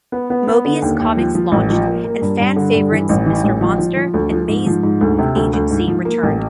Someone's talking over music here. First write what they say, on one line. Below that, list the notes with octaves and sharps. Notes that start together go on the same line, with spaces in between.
Moebius Comics launched and fan favorites "Mr. Monster" and "Maze Agency" returned.
B3
B3
B3
D3
D#2
D#2
F3
F3
A1
F3
A#3
A#3
G2
G2
D3
G2
E3
A1
E3
A1
F3
F3
F3
D2
F3
G#2
F3
G#2
D2
C3
D2
D2
G#2
F3
A#3
A1